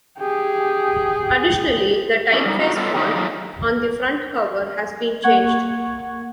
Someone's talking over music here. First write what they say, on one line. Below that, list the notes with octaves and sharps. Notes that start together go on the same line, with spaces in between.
Additionally, the typeface font on the front cover has been changed.
G4 G#4
C#4 E4 A4 C5 D5 D#5
G3 D4 D#4
D#4 F4 F#4
G3 B3 F4 A4 C#5 D#5
G2 D#3 G3 B3 D#4 E4
F#3 A3 A#3 D#4 F4 G#4
A#3 F#5 C#6 G#6